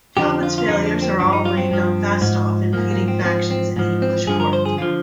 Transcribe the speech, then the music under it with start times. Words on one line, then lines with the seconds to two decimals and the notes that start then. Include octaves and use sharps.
Talbot's failures are all blamed on Fastolf and feuding factions in the English court.
0.17 F2 D3 F3 G4
0.43 F4
0.58 F4
0.68 F2 D3 F3 D#4
0.85 D4
1.02 C4
1.19 G2 F3 D4
1.33 D#4
1.45 F4
1.57 C4
1.71 G2 F3
2.21 G#2 F3
2.73 G#2 F3 A#3
2.91 A#3
3.08 C4
3.19 A#3
3.24 G#2 F3 C4
3.51 C4
3.76 G#2 F3
4.02 C4
4.27 G2 D3 F3 G#4
4.40 A#4
4.53 C5
4.65 G#4
4.78 D3 F3 F4